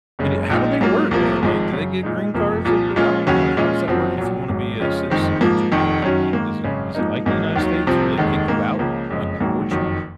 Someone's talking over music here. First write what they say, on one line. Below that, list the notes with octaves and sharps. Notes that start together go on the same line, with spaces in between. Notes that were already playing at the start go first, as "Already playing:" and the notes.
And, eh, how do they work, though? Like, do they get green cards up there? I don't know how how does that work if you want to be a citizen of Japan, like, does it is it like the United States? Will they kick you out, like deport you?
F#1 F#2 C#3 G#3
A#1 A#2 G#3 D#4
G#2 F#3 A#3 F4
C2 C3 F3 A#3
G#1 G#2 F3 G#3
F#2 C#3 F#3
A#2 G#3 D#4
F#1 F2 C3 F3 A#3
C2 A#2 F3
A#2 G#3 C#4 F4
D#2 C#3 F#3 C#4 F#4
A#2 G#3 C#4 F4
F#1 F#2 F3 C4 F#4
A#1 A#2 F#3
G#1 G#2 F#3
F2 C#3 G#3 C#4 F4
F#1 F2 D#3 G#3 C4
G#2 F3 A#3
F1 F2 D#3
F#2 D#3 F#3 C#4 F#4
G#2 D#3 A#3
G#1 F#2 C#3 G#3 C#4
G#2 F3 A#3 D#4
G#1 G#2 F#3 A#3 D#4
D#2 D#3 F#3
C2 C3 F3 C4
F1 D#2 D#3 G#3
G#2 D#3 A#3
C#2 C#3 F3 A#3
F#1 F2 C#3 G#3
A#1 G#2 D#3 F#3 A#3
F#1 F2 D#3 F#3